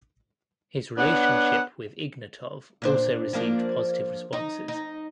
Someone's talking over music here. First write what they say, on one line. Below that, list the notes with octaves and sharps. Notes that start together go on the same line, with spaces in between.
His relationship with Ignatov also received positive responses.
B3 D4 C#5 F#5
A#2 D4 C5
F3 A#3 D4
D#4
D#4